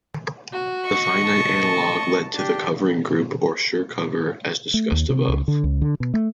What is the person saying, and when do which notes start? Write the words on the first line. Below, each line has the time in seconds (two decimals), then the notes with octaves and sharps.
The finite analog led to the covering group or Schur cover, as discussed above.
0.52 F#4
0.86 D#5 C#6
1.25 A5
2.34 D4 G4
4.74 A3
4.92 D#2
5.10 C3
5.29 C#2
5.48 D3
5.64 C#2
5.82 D3
6.00 B2
6.14 A3